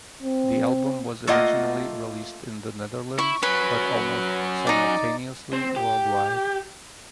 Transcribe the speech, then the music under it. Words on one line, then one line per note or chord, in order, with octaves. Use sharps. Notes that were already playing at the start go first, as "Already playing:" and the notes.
The album was originally released in the Netherlands but almost simultaneously worldwide.
C4
A3 A#3 F4 D#5 F#5
E4 C#6
F#3 C#4 B4
D#4 D5
C4
G4